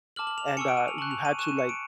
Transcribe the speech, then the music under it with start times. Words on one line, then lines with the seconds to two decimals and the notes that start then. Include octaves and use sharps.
and, uh, you had to, like,
0.16 A5 D6 F6 F#7
0.27 F#7
0.38 F7
0.48 E7
0.57 G#5 C#6 E6 C#7
0.68 D7
0.77 D#7
0.88 F7
0.98 A5 C#6 F#6 F#7
1.11 F7
1.25 D#7
1.38 C#6 F#6 E7
1.48 D#7
1.59 C#7
1.69 D7